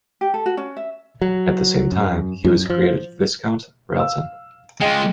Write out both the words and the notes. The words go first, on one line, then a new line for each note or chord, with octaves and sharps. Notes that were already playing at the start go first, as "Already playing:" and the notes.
At the same time, he was created Viscount Rialton.
G4
A4
F#4
C#4
E5
F#3
F#2
F#2
F3
F5 E6
G#3 F4 D#5 G5 C#7